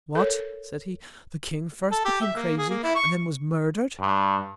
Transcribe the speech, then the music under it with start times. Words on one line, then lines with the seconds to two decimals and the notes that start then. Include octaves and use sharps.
What, said he, the King first became crazy, and then was murder'd.
0.15 A4 A#4 C#5
1.92 A4
2.05 G4
2.22 E5
2.35 A#3
2.57 G#4
2.69 A#3
2.83 E4
2.96 C#6
4.00 G2